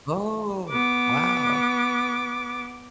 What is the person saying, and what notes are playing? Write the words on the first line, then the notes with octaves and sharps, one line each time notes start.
Oh, wow.
B3 D6